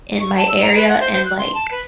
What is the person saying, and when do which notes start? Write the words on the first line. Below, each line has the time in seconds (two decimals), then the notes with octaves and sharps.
in my area, and, like,
0.21 C#6
0.37 A5
0.49 E6
0.62 A#5
0.76 B4
0.89 F#5
1.01 C5
1.13 C5
1.25 F#6
1.38 C6
1.55 A5
1.71 B4